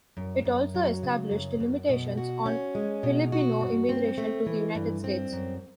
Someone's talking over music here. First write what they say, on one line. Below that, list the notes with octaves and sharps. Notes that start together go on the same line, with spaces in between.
It also established limitations on Filipino immigration to the United States.
F#2
F#2
F#3
C#3
F#2
F#2
B2
F#4
C#4
G#3
B2
F#4
G2
C4
A3
E3
G2
C4
F#2